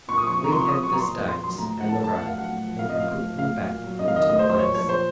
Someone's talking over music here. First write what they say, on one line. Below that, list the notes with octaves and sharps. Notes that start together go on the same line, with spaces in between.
"We have the stakes and the rope and can put them back into place."
A#2 C#6
D#6
F3 C#6
C3
A#5
F3 C6
C#6
C3 D#6
F#3 C#6
A#5
A#2 C6
F3
A#2 C6
F#3 C6
A2 A#5
F3
F#5
A2 A5
F3 A5
A2 F#5
F5
F#3 F#5
A2
F3
C3 F5
F3 D#5
F5
A2
F3
A2 F5
F#3
A#2
F#3
C3 D#5
F5
D#3 D#5
A2 D#5
C5
F#3
C5
A#2 C#5
F3 C#5
A#2 C5